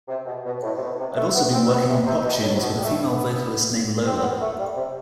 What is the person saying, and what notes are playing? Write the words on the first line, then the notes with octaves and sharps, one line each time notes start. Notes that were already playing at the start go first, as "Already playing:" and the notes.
I've also been working on pop tunes with a female vocalist named Lola.
C3
B2
B2
A2
C3
B2
C3
A3
B3
C4
B3
C3
C3
B2
A2
C3
B2
G3
A3
B3
C4
C4
B3
A3
G3
C3